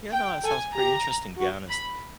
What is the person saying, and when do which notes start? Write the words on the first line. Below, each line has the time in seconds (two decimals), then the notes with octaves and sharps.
Yeah, no, that sounds pretty interesting be honest.
0.13 G5
0.44 A4 G#5
0.75 G4 A#5
1.37 F#4
1.69 B5